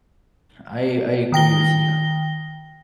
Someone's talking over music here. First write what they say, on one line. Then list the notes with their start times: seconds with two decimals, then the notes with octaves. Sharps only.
I I I agree with you.
1.32 D#3 G5 A#6 G7